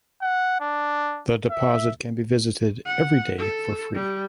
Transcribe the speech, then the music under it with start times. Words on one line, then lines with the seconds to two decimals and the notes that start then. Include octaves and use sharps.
The deposit can be visited every day for free.
0.22 F#5
0.60 D4
1.50 E5
2.86 F#5
3.38 A4
3.94 G3